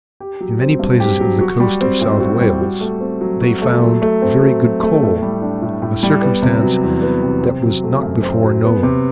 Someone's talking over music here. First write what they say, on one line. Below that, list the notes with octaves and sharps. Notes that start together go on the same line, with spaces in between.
In many places of the coast of South Wales, they found very good coal; a circumstance that was not before known.
G4
F#3
C4
G2
G4
F#3
F#4
G3
C4
A2
F#4
G3
F#4
A3
C4
F#3
F#4
A3
F#3
A3
C4
F#3
F#3
A3
A2
G3
D4
A2
A2
G3
B3
C3
F#3
E2
B3
C3
C4
F#3
A3
F#2
C4
F#3
B3
C3